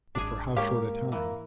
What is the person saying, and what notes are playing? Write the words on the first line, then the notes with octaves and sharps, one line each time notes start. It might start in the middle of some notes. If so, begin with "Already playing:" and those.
But for how short a time!
D1 G#1 D4 G#4
G#2 A#3 G4 C#5 F5
E3 A#3